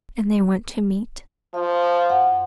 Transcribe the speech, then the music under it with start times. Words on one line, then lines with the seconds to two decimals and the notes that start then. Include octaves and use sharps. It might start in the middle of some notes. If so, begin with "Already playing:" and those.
And they went to meat.
1.54 F3 F5
2.10 F#2 F#5